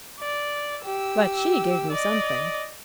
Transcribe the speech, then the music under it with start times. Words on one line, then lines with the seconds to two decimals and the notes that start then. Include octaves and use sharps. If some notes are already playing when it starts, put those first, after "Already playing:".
But she gave me something.'
0.20 D5
0.85 G4 E6
1.92 D5 D#5